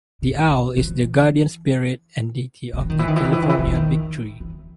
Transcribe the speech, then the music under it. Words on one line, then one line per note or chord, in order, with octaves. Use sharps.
The owl is the guardian spirit and deity of the California big tree.
A2
C#3
E3
D#3
E3
D#3
E3
D#3
E3
D#3
E3
D#3
E3
D#3
E3
D#3
E3